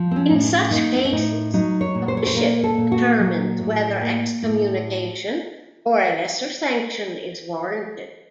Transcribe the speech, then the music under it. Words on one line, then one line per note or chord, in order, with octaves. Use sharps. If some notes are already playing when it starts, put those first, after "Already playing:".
In such cases, a bishop determines whether excommunication or a lesser sanction is warranted.
Already playing: F3
C4
C#4
A2
C#4
A#3 D#4
C4
C#4
A2 D#4
F#3 D#4
C#5
A#2
C5
C#5
C5
A#3 A#4
A4
A#2
F#4
F#3
A2
A#3
A2